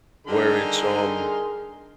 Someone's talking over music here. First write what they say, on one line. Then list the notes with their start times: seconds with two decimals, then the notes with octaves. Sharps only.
where it's, um
0.27 D3 G3 D4 D#4 G#4 A#4 D5 C6